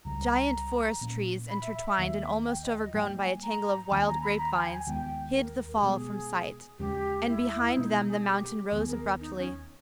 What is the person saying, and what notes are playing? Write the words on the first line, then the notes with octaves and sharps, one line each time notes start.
Giant forest trees, intertwined and almost overgrown by a tangle of wild grapevines, hid the fall from sight, and behind them the mountain rose abruptly.
C#2 C#3 G3 A#5
A#2 A#3 C#4
B5
E5
E5
E5
D#2 D#3 A#3
G5
D#5
D#5
G#2 G3 A#3 G5
G#5
A#5
D#2 D#3 A#3 C#4 G#5
A#5
B5
A#5
G#5
G5
G#5
D#2 D#3 G#3 B3 G5
A#4
G4
B2 G#3 B3 G#4
D#2 C#3 G#3 C#4 G4
E4
E4
B2 G#3 B3 D#4
D#4
G#4
G4
D#2 D#3 G3 B3 G#4
A#4
D#4
C#4